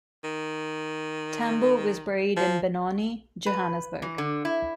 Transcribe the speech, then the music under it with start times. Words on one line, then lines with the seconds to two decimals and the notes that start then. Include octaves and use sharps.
Tambo was buried in Benoni, Johannesburg.
0.24 D#3
2.37 F3
3.46 B4
4.02 E3
4.18 D3
4.45 E4